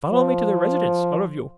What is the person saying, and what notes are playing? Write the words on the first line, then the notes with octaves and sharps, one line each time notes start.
"Follow me to the Residence--all of you!"
F3